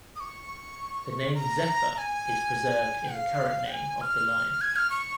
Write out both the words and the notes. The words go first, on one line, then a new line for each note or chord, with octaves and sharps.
The name "Zephyr" is preserved in the current name of the line.
D#6
C#6
A#5
A#5
G#5
F5
G#5
F6
G#6
F6
C#6